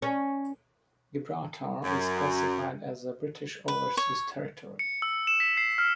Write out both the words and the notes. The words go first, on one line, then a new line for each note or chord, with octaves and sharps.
Gibraltar is classified as a British overseas territory.
C#4
F#2
B4
C#5
C#7
E6
E7
B6
C7
F6